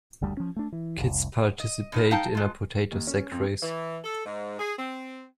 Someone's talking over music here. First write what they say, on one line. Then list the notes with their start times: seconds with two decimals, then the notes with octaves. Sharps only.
Kids participate in a potato sack race.
0.22 F#1 D2 G3
0.37 F3 C#4
0.57 A3 D4
0.73 E3
0.98 F1 C2
1.60 D#5
1.92 B2 D#4 A#4
2.11 D#4 F5 G5 A5
2.35 G#3 F4
2.91 D#2
3.07 C#4
3.31 F2
3.62 E3
4.04 A4
4.26 G#2
4.59 G#4
4.78 C4